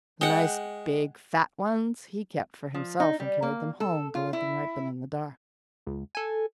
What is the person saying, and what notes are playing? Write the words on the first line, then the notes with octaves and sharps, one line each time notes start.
The nice big fat ones he kept for himself and carried them home to let them ripen in the dark.
G#3 F#5 G5
F3
D#4
G3
A#3
A4
F4
E4
C#2
A4 G#5